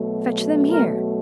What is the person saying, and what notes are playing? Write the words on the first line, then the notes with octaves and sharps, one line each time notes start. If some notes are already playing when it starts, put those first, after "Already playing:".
"Fetch them here."
Already playing: B2 F#3 A3
A#4